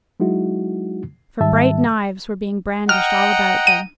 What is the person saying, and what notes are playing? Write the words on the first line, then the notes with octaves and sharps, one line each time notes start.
For bright knives were being brandished all about them.
F#3 G#3 D#4 E4 F#4
G#2 D#3 G3 E5 A5
D#5 F#5 G5 A#5 F6
D#7